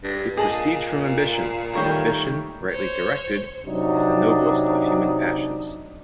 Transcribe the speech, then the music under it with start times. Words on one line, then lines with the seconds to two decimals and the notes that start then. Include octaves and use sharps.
It proceeds from ambition; and ambition, rightly directed, is the noblest of human passions.
0.03 G2
0.37 A#2 G#4 D#5 A5 F#7
1.73 D#3 G3 A3 A#4 C#5 G5
2.71 C5 C#5
3.66 C3 F#3 D4 D#4